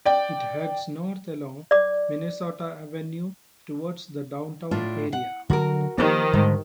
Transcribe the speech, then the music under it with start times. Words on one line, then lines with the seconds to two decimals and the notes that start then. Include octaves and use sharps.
It heads north along Minnesota Avenue toward the downtown area.
0.05 D5 G5
1.71 D5 D6
4.71 A2 D4 F4
5.13 F#5
5.50 D3 F#3 F#4 A#4
5.98 D#3 F3 A#3 G4
6.33 G#2 D3 G3 A3